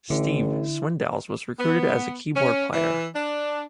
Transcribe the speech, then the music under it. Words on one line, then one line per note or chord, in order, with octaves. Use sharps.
Steve Swindells was recruited as keyboard player.
A1 D3 E4
B3
C#4
E3
D4